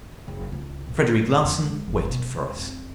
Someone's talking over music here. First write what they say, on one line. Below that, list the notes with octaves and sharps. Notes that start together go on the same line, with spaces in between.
Frederic Larsan waited for us.
F#1
C#2
A#2
A#2
F2
G#3
F#1
B2
G#3
F2